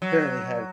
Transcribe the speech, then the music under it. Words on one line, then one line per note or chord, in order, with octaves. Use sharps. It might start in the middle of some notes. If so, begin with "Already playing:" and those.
apparently have
F#3